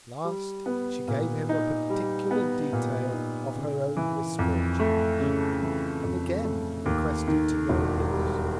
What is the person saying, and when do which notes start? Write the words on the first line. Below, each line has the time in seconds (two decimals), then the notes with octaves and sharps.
At last, she gave him a particular Detail of her own Misfortunes, and again requested to know his.
0.24 G3
0.66 B3
1.08 A#2
1.49 D#4
1.90 G3
2.31 B3
2.73 A#2
3.14 D#4
3.56 C#3
3.97 E3
4.39 F2
4.80 A3
5.20 C#3
5.62 E3
6.04 F2
6.45 A3
6.86 D#2
7.28 D#3
7.69 E1
8.11 G3